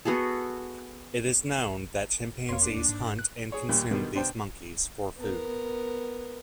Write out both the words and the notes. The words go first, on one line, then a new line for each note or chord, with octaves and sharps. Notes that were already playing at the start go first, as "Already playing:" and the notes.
It is known that chimpanzees hunt and consume these monkeys for food.
B3 F#4 G#4 A4
F2 A#3 C#5 C6
D4
D#2
G#2
F#6
G#4 C#5
D#2 A#2 G3
B2 D3 D#3 G3
B2 D4 C5 G5
B3 A#4